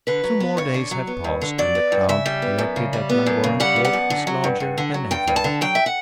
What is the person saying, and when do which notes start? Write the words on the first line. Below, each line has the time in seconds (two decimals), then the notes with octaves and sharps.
Two more days have passed, and the crowd collected at Llangorren Court is larger than ever.
0.07 D3 B4
0.24 F#3
0.40 B3
0.57 G2 C#5
0.74 D3
0.91 F#3
1.07 B3
1.24 G2
1.41 D3
1.58 F#3 D5
1.75 B3
1.92 G2
2.09 C#3 E5
2.26 G3
2.42 B3
2.58 F#2
2.76 C#3
2.93 G3
3.09 B3
3.26 F#2
3.44 C#3
3.60 G3 F#5
3.76 B3
3.85 F#5
3.93 F#2
4.10 D3
4.27 F#3
4.44 G2
4.60 G2
4.78 D3
4.94 F#3
5.11 G2 G5
5.27 G2
5.36 A5
5.44 D3
5.61 F#3 G5
5.75 E5
5.86 F#5